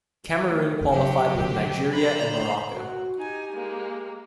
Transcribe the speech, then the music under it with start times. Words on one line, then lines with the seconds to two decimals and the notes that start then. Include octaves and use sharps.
Cameroon qualified with Nigeria and Morocco.
0.50 A3
0.91 C#3 F#3 G4
1.40 D3
1.92 C5 A#5 B5
2.73 F#4
3.18 D#4 G4 G#5
3.53 G#3 A#3